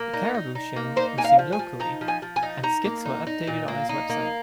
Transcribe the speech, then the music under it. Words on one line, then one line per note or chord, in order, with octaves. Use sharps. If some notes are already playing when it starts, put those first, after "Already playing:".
The Caribou Show was seen locally, and skits were updated on its website.
Already playing: A#3
D#4
D#4
D#4
A#3
D#4 C5
A#3 G#5
F5
F3
G#5
F3
D#4 A#5
F3
G#5
F3
G#5
D#4
D#4 A#5
A#3
D#4
D#4
A#2
A#3
D#4
A#3